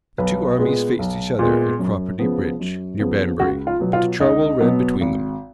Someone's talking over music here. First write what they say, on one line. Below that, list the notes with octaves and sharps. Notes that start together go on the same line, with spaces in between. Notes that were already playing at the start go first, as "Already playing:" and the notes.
The two armies faced each other at Cropredy Bridge, near Banbury; but the Charwell ran between them.
B1 B4
A#2 G#3 B3
B1
A#2 G#3 B3
F#2
C#3 F3 B3
F#2
C#3 F3 B3
C#2 F#4
F4
B2 F#3 B3
F4
C#2 D#4
B2 F#3 B3
G#1